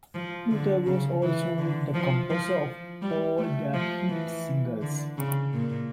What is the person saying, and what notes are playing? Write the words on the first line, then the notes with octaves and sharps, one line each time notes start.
Luther was also the composer of all their hit singles.
F3
D3
C#3
E3
D3
F3
F3
G3
A3
F3
E3
D3
C#3
A#2